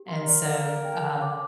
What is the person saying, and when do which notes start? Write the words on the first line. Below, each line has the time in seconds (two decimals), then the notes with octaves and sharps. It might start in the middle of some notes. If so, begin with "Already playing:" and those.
And so, uh,
Already playing: G4
0.08 A#4 C6
0.27 D5
0.46 F5
0.65 D5
0.85 G5
1.03 A4
1.22 D6